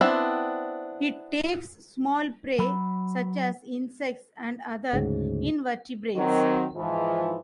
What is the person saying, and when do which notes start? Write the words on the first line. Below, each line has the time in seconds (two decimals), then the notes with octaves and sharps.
It takes small prey such as insects and other invertebrates.
0.01 B3 C4 D4 E4
2.59 F#3 B5
4.93 D2 G#2 C#3
6.16 D#3 F#3 C4
6.76 G#2 E3 F3